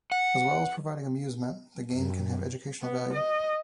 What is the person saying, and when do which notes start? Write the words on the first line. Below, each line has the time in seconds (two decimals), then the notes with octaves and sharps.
As well as providing amusement, the game can have educational value.
0.12 F#5
1.93 F#2
2.82 B3
3.13 D#5